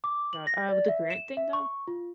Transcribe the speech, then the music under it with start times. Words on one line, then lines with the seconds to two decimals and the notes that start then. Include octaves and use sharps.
God, uh, with the Grant thing though,
0.04 D6
0.33 F#7
0.47 A#6
0.69 D5
0.88 E5
1.10 E7
1.37 E5
1.53 C#6
1.87 F4